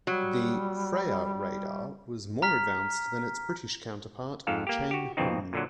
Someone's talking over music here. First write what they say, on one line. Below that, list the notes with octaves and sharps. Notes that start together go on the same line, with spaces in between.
The "Freya" radar was more advanced than its British counterpart, Chain Home.
F#3 G3
A#5 F6 B6
F2 G#2 A4 F5
A#3 G4
F#4 G4
A#1 F2 B2 C4 D#4
A#2 D3 F#3